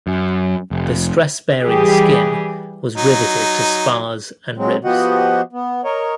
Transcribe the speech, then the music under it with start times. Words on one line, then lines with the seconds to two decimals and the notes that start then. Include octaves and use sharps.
The stress bearing skin was riveted to spars and ribs.
0.07 F#2
0.71 F1
1.61 E3 G3 G4 G#4
2.96 F#3 D#4
4.57 F#3 G#3 C4
4.84 F3 B3 F#4 G4 D#5 F#5
5.53 B3
5.85 A#4 C#5 D#5